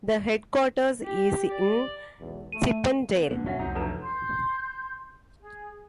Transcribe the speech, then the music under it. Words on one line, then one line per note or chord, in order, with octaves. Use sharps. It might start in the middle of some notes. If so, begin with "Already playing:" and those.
The headquarters is in Chippendale.
G4
D5
B1 E2 G#2
A3 D#7
B3
A#2 D3 A#3 B3
D2 B2 F#3 C#4 F#4 E5 F#5
C2 F2 C4 D#4 A#5
B2 F3 F#3 A4 B4 A#5
C6 G6
G#4